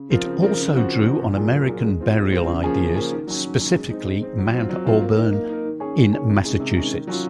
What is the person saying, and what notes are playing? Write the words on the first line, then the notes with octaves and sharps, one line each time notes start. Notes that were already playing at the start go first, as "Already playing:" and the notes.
It also drew on American burial ideas, specifically Mount Auburn in Massachusetts.
Already playing: C#3
F3 C4 F4 A#4
C#3
F3 C4 F4 A#4
C#3
F3 C4 F#4
C#3
F3 C4 F#4
A#2
F#3 A#3 F4 G#4
A#2
F#3 A#3 F4 G#4
G#3
C4 F4
G#3
C4 F4
C#3
F3 A#3 C#4 G#4
C#3
F3 A#3 C#4 G#4
D#3
F#3 C#4
D#3
F#3 C#4
G#3
C4 D#4
G#3
C4 D#4
F#3
C4 F4
F#3
C4 F4
A#3
D#4 A#4
A#3
D#4 A#4
D#3
A#3 C#4 G#4 C#5
D#3
A#3 C#4 G#4 C#5
C3
D#3 G#3 C#4
C3
D#3 G#3 C#4
D#3
F#3 C#4 F4